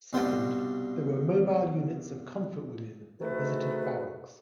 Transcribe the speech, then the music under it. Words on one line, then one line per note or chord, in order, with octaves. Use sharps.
Second, there were mobile units of comfort women that visited barracks.
C2 G2 B2 G4 D5 C6
G#2 D#3 A3 F#4 A4 B4